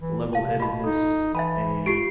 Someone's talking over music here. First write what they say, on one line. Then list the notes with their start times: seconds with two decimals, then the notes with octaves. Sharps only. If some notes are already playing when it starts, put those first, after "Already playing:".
level-headedness, a,
0.01 E3
0.33 C3 F5 A5
0.60 B2 F4 F#4 B5
0.84 D#4 A4
1.35 E3 E5 G#5 A5 B5
1.86 D#4 F4 G4 C#6 C7 D7